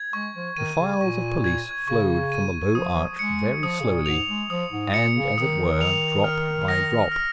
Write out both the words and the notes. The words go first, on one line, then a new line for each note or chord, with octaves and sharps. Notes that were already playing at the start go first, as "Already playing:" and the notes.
The files of police flowed from the low arch very slowly, and, as it were, drop by drop.
Already playing: G#6
G#3 C#6
F3
D#3 D#7
C#3
A#2 C#6
G#6
C#3 C#6
D#7
F3 D#6
G#3 C#7
F3 D#6
C#3
A#2
G#2 F7
G#3
F3 D#6
G#2
A#2 C#7
C#3
D#3 D#6
F7
F6
A#6
F6